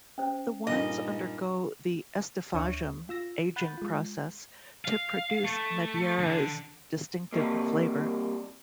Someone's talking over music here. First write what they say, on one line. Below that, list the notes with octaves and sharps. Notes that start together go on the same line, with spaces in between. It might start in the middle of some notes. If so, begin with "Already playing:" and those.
The wines undergo the "estufagem" aging process to produce Madeira's distinctive flavor.
C#4 C5
G2 A#2 D#4 D#5
D2 D4 C#5 E5 C#6
F4 E6 A#6
F#5 B5 F#6 G6 A6 D#7
G#3 F4
F5
A3
D3
C2 G#2 C3 G3 A#3